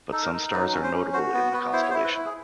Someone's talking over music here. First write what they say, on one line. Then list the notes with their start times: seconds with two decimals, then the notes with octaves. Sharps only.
But some stars are notable in the constellation.
0.12 D#4 A4
0.23 A#4
0.33 D#4
0.53 F#3 B4
0.73 C#4
0.83 C5
0.93 C#4
1.13 F#4 C5
1.34 B3
1.53 B3 B4
1.73 E4 C5
1.82 C#5
1.90 C5
1.94 E4
2.04 B4
2.14 E4
2.26 G#4